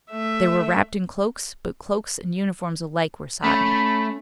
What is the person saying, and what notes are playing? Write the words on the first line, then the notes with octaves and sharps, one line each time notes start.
They were wrapped in cloaks, but cloaks and uniforms alike were sodden.
A3 E5
A3 C#4 B5